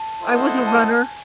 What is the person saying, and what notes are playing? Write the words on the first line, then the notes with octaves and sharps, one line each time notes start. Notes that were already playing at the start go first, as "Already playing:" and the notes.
I was a runner.
Already playing: A5
E4 A4 C5 D#5 F#5
A5
G#5